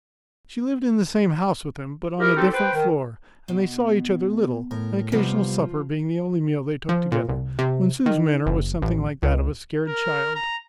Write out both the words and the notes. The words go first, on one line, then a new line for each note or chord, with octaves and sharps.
She lived in the same house with him, but on a different floor, and they saw each other little, an occasional supper being the only meal they took together, when Sue's manner was something like that of a scared child.
E4 G4 G#4 A#4
C4 D#4 F#4 G4 A4
B4 C5 G5
D#3
B2
A2 A#4
C3 F3 G3 B3 F4
F3
A#2
C2
C3
D#3
F#1
A1
C#2
A#4
A#5